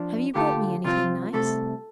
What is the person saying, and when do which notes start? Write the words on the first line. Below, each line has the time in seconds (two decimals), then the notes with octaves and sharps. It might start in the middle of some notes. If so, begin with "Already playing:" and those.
Have you brought me anything nice?'
Already playing: F3 D4
0.34 D3 A3 F4 G4 A4
0.84 C2 C3 F3 C4 F4
1.33 C2 C3 A3 A4